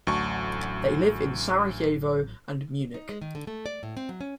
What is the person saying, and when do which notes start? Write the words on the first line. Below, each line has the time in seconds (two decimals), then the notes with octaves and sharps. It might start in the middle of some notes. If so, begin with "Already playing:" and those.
They live in Sarajevo and Munich.
0.07 A1 D2 F#3 D4 C#6
2.94 D#4
3.09 G#3
3.21 D#3
3.35 D3
3.47 A3
3.66 D5
3.83 A2
3.97 C4
4.09 F#3
4.21 C#4